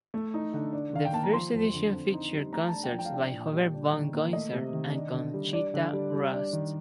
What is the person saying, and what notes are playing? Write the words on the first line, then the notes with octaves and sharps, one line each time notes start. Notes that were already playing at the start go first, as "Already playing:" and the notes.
The first edition featured concerts by Hubert von Goisern and Conchita Wurst.
A3
D#4
D3
D4
D#3 F5
G5
A#3 A5
A#5
F3 C6
F2
D3
C4
D#4
G3
A3 A#5
A5
D4
G5
F3
G5
F5
D4 G5
A#2
G3
D4
D#3
A#3
A3 D#5
C3
D#3
D4
D3
G3
D4 D5
D3
G3
G3
D4
D#3